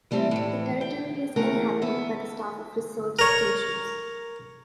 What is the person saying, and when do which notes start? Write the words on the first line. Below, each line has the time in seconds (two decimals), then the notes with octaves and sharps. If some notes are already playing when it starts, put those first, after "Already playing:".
The territory is inhabited by the staff of research stations.
0.11 E3 G3 A3 C4
0.31 A2 E3
0.81 G5
1.36 E2 A3 A#4 F#5
1.82 B3 E5
3.19 A#4 C#5